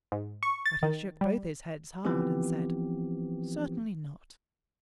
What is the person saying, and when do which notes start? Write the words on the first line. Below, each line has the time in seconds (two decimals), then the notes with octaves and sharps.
But he shook both his heads hard and said, "Certainly not!"
0.12 G#2
0.43 C#6
0.66 A6
0.83 D#3
1.21 G3
2.05 E3 F3 B3 C4 G4